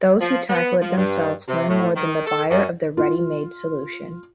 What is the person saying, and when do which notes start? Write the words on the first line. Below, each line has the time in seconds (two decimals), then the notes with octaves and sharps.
Those who tackle it themselves learn more than the buyer of the ready-made solution.
0.21 F3
0.49 B3
0.81 F3
0.96 G2
1.48 C3
1.68 A2
1.96 D#3
2.26 A4
2.51 F#2
2.97 F4